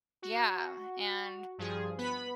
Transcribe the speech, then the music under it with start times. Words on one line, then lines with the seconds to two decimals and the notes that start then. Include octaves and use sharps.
yeah, and
0.22 F#4
1.58 G2 F3 G#4
1.98 B3 B4 B5